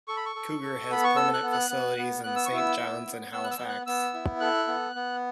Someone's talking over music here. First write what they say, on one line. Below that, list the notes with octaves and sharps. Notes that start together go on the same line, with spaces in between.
Cougar has permanent facilities in Saint John's and Halifax.
A4 C#6
B5
C#6
A4
A4
B3 B5
C#6
A4 E6
F#6
B3
F#6
B3
B3
B3 F#6
E6
C#6
E4 E6
B3
B3
B3 E6
F#6
E6
B3
F#6
B3 E6
E4
A4 F#6
B3
B3